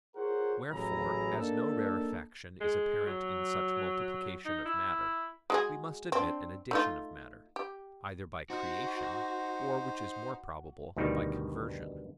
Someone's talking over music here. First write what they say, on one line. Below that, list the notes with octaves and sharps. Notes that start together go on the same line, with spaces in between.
Wherefore, as no rarefaction is apparent in such multiplication of matter, we must admit an addition of matter: either by creation, or which is more probable, by conversion.
F4 G#4 A#4 C5 C#5 F#5
A1 F#3 E4 G#4 A#5
A#3 D4 D#4 A4
G#3
F#3
D#4
E4
G#3 F#4 G#4
C4 D4
A3 D#4 F4
G4
D#4 F#4 C5
D2 B2 D#3 G3 D#4